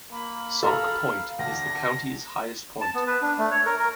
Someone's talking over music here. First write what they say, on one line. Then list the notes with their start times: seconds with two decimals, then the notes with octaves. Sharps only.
Sauk Point is the county's highest point.
0.12 A#3 B5
0.63 A4 F5 A#5
1.39 D2 D4 A#6
2.81 A5
2.95 B3
3.07 B4
3.22 D4
3.38 A3
3.51 C#5
3.66 A#4
3.79 A#4